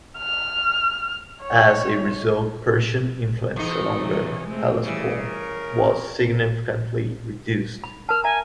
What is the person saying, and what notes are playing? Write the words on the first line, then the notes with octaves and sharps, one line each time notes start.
As a result, Persian influence along the Hellespont was significantly reduced.
F6
C#5
E2 D#4
C3 F#3 C#4
G#3 A3 C4
C#3 E3 G3
A#4
B5
A#4 A5 F6
E5 G#5 A#5